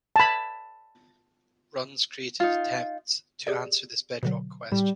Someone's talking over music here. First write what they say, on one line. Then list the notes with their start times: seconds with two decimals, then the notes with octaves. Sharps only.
Runs created attempts to answer this bedrock question.
0.16 A5 B5
2.40 D#4 F4
3.47 G4 G#4 D5
4.23 B2 D3 F#3
4.72 A2 G3